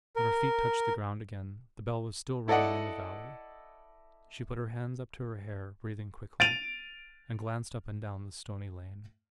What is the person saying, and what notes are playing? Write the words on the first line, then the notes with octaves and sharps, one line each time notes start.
When her feet touched the ground again, the bell was still ringing in the valley; she put her hands up to her hair, breathing quickly, and glanced up and down the stony lane.
A#4
E4 A4 D5 D#5 F#5
A6 D7 D#7 F7